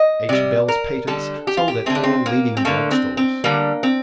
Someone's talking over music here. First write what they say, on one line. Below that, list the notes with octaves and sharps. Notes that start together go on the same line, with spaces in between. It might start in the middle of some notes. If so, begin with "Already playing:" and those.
H. Bells Patents Sold at all leading drug stores.
Already playing: D#5
C3 G3 D5
A#4
D3 G3 A4
G4
F4
G4
D3 A3 C4
D4
C4
A#3
C4
D3 A3 A#3
C4
C4
D3 G3 A#3
C4